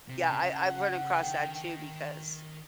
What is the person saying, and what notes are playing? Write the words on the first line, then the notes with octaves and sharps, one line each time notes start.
Yeah, I I've run across that too because,
C3
G5
C#3
F#5
D#3 G5
D3
D#3